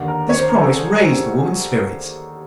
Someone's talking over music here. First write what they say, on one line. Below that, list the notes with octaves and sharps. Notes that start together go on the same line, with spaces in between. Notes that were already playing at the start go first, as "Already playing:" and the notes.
This promise raised the woman's spirits.
Already playing: D#2 D3
A#4
C#5
C5
A#4
A4
G#4
G#4
G4